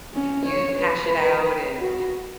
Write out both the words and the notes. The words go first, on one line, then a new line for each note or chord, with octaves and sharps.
You hash it out, and
C#4
C#5
B4
F#4